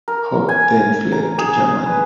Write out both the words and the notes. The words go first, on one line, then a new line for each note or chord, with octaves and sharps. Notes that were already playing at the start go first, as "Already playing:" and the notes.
Hopp then fled to Germany.
A#4
G#5
A#5
G#4
B4